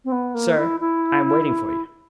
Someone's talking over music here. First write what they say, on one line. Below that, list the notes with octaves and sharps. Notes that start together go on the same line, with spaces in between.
"Sir, I am waiting for you."
C4
B3
A#3
E4
E4